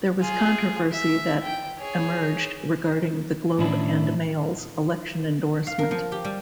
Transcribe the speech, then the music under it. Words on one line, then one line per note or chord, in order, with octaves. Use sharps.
There was controversy that emerged regarding the Globe and Mail's election endorsement.
F4 G#4
E5
G5
G#4 C#5
A2 D#3 C#4 D4 E4
F5
A#4
F3
G4
G3